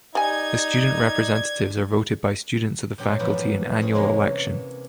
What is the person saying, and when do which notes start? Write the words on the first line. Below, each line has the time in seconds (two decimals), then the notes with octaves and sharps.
The student representatives are voted by students of the faculty in annual election.
0.15 G3 D#4 D5 G#5 G#6
2.98 A#2 F#3 D4 G4 A4
3.19 G#2 E3 F3 B3 F#4
3.81 C4 C#4 G#4 C#5
3.95 C3 E3 G#3 A#3 C#4